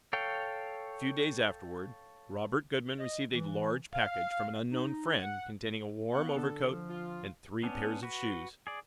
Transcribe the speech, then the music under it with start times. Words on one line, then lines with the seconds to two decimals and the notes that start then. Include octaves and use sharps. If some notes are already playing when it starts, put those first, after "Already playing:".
A few days afterward Robert Goodman received a large package from an unknown friend containing a warm overcoat and three pairs of shoes.
0.13 A4 C#5 F5 G5
2.99 D#5
3.33 E3
3.93 F5
4.71 D#4
5.18 F#5
6.13 B3 C#5 F5 F#5
6.36 D3 D4 A4
6.67 F3
6.89 F4
7.63 B3 C#4 D4
8.03 F#4 B4
8.67 G#4 D5